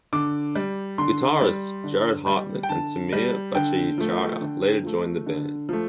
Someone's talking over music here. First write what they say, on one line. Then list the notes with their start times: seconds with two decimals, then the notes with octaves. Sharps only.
Guitarists Jared Hartmann and Sameer Bhattacharya later joined the band.
0.13 D3 D6
0.55 G3
0.98 D3 C6
1.41 G3
1.84 D3
2.26 G3
2.63 G5
2.69 D3 A5
3.13 G3
3.55 D3 G5
3.98 F3 A3
4.41 D3
4.84 F3 A3
5.26 D3
5.69 F3 A3